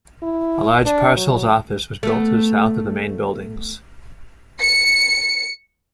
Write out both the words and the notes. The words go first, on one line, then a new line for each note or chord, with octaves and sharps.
A large parcels office was built to the south of the main buildings.
E4
D4
F#3
A3 B3
C#7